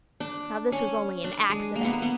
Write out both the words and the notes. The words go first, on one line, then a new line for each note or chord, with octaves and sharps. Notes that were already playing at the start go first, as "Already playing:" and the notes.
Now, this was only an accident.
D4
C#4
D4
G#3
A#3
B3
A#3
B3